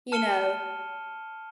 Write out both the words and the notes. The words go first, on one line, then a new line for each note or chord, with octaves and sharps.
You know?
A5 F6 C#7 D#7 E7 G7